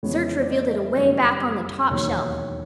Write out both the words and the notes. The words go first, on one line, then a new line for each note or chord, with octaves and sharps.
Search revealed it away back on the top shelf.
F2 C#3 E3 G#3 B3 C#5
C#5
D5
D#5
D#5
E5
F#1 F#2 D#3 G3 D5
E1 D#2 D#3 F#3 C#5